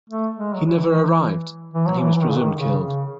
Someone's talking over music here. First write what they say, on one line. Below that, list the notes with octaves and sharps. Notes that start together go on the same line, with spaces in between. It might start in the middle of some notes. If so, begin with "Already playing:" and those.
He never arrived, and he was presumed killed.
A3
G#3
F#3
E3
E3
F#3
E3
E3
D#3
C#3
D#3
C#3
C#3